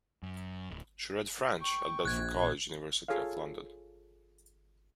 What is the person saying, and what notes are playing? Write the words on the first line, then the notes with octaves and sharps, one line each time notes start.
She read French at Bedford College, University of London.
F#2
D1
G5 C#6
A#1 F#6 G#6
F4 G#4 A4 C#5 F5